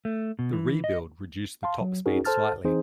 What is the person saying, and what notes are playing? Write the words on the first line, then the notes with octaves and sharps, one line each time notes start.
The rebuild reduced the top speed slightly.
A3
B2
E3
D#5
F5 A5 C6
F#3
C#4 D#4 F#4 G#4 A#4
A4 C5 A5 F6 A6
E3 C4 D#4 G#4 C5